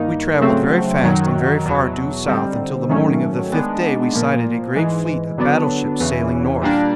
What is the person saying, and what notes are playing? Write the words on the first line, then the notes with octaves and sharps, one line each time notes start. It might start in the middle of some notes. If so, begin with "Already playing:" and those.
We travelled very fast and very far due south until the morning of the fifth day we sighted a great fleet of battleships sailing north.
Already playing: G2 D#3 G3 A#3 D#4
C#3 F#3 A3 C4
F#2 D#3 F#3
E2 B2 F#3
D3 G3 C4 D#4
G#2 D#3 F#3 A3 C#4
D#3 G#3 B3 D4
A#2 F3 A#3
G#2 E3 G#3
D3 F#3 B3 D4
E2 C#3 E3
A#2 G3 A#3 D4